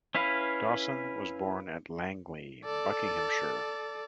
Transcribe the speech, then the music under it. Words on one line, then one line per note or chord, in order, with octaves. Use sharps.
Dawson was born at Langley, Buckinghamshire.
C#4 E4 B4 F5
A4 D5